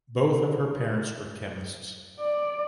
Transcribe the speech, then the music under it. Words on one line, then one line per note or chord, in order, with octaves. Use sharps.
Both of her parents were chemists.
D5